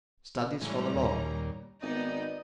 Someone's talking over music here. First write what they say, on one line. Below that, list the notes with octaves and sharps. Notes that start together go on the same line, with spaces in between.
Studies for the law.
A2 E3 G3 G#3 C#4 A#5
D#2 A#2
G#1 B3 D#4 D5 D#5